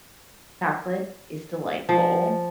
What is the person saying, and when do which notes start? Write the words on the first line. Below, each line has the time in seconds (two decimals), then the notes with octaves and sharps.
Chocolate is delightful.
1.89 F3